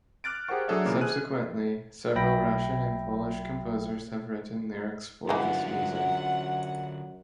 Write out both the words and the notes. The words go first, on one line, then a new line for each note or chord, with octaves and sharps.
Subsequently, several Russian and Polish composers have written lyrics for this music.
D6 F6 F#6 A6 D7
G4 G#4 A#4 C5 F#5 C#6
F#3 D4 G#4 A4 C#5 E5
A#2 C#3 E3 A#3
G#4 G#5 F6 F#6 D#7
B1 F#3 E5 G5 B5 A#6
F#2 D3 E3 G#3 F4 F#5